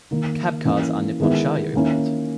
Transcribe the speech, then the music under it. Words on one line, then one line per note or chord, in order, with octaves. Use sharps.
Cab cars are Nippon Sharyo built.
D#3 A#3 D#4
E3 A#3 C#4 E4
D#3 G#3 B3 E4
D#3 A#3 C#4 E4